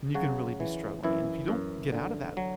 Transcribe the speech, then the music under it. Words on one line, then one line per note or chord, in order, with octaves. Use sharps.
and you can really be struggling and if you don't get out of that,
C#3 F#3 F#4
E3
F#2 E3 E4
F#2
D3
F#3